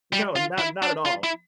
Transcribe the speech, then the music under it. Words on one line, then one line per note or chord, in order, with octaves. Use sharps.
No. Not not at all.
G3
F4
E4
D4
F4
E4